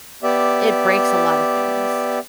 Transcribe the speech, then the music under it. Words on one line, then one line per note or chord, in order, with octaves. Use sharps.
it breaks a lot of things,
B3 G4 D5 E5